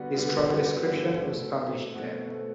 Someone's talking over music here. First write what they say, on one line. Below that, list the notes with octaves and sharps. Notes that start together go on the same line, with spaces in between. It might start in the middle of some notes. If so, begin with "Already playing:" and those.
His travel description was published there.
Already playing: D3 G3 B3 F#4
D3 G3 B3
F#4
G4
D3 G3 B3
F#4
D3 G3 B3 E4
B2 A3 C4
B2 A3 C4
B2 A3 C4 F#4
B2 A3 C4